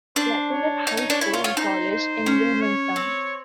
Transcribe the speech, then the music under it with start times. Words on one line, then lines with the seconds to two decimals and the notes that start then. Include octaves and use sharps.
She attended high school and college in Wilmington.
0.16 D4 C5
0.51 C#5
0.87 D#4
0.97 D#4
1.10 D4
1.21 E4
1.34 F4
1.44 F4
1.56 D#4 C5
1.91 C5
2.26 C#4
2.61 C#5
2.96 C4